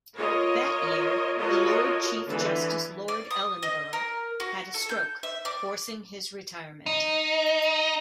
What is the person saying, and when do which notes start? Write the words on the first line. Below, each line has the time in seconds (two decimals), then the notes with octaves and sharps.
That year, the Lord Chief Justice Lord Ellenborough had a stroke, forcing his retirement.
0.16 F4 A#4 C#5 D#5
1.36 F4 F#4 A4 A#4 C#5 D#5
2.27 D3 E3 B3
3.08 D5
3.31 D#6
3.63 D#5
3.93 A#4
4.40 F#4
4.74 A4
4.89 G6
5.23 E5
5.45 D5
6.86 D#4